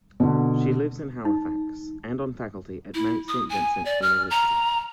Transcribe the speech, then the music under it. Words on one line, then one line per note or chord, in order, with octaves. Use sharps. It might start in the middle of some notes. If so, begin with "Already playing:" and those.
She lives in Halifax, and on faculty at Mount Saint Vincent University.
B2 D3
D#4
E4
D#6
G#5
D5
F6
A#5